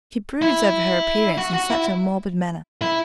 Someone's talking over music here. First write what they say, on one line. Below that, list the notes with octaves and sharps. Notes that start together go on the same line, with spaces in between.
She broods over her appearance in such a morbid manner.
E4
F#4
F#4
E4
E4